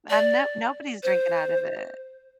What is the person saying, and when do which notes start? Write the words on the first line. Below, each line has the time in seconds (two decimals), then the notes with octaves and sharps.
Um, no nobody's drinking out of it.
0.10 D5
1.03 C5